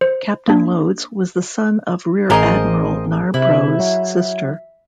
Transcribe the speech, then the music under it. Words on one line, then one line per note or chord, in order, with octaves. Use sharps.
Captain Loades was the son of Rear Admiral Narbrough's sister.
C5
A#3 D4
A1 G#4 A#4 C5 D5 D#5
C3 E4
F#3